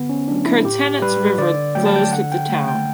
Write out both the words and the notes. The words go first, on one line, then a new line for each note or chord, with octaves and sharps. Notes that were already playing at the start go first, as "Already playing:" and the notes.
The Kerzhenets River flows through the town.
Already playing: D3 B3
C#4
F#3 A3 D4
E4
A2 G4
G3 B4
D3 D5
F#3 A3 G5
A5
G5
D3 F#5
G5
A3 G5
G5